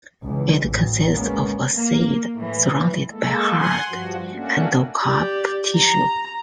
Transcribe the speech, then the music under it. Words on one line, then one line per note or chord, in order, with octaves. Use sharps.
It consists of a seed surrounded by hard endocarp tissue.
C#2 E3
A1 D2
G#3 A#3 B3 C#4
A#3
A2 E3
G#3 A#3 A4
F#5 G#5 C6
G2 F3 F#4
A3 A#3 C#4 D4 F#4
G4 D5
A#5